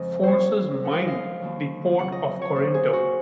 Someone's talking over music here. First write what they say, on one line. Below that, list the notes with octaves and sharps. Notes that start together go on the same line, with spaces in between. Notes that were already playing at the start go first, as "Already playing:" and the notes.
Forces mined the Port of Corinto.
Already playing: F2 C#3 F3 G#3 D#5
A#2 F#3 C5 C#5
F#2 F3 G#3 F#5
F5
D#5
F5
D#2 D#3 F#3
F2 C#3 F#3 F#5
D#5
D#5
C#5
A#2 F#3 C5
G#4
F#4